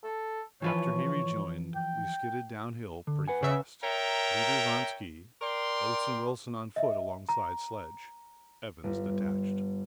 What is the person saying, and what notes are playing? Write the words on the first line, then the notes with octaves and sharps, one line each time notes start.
After he rejoined we skidded downhill pretty fast, leaders on ski, Oates and Wilson on foot alongside sledge--Evans detached.
A4
E3 F3 B4 C#5
G5
D3
B4 F#5 G#5
C#3 E5
A#4 C#5 E5 G5 A#5
A#4 D5 G5 C6
D#5 E5
A#5
G1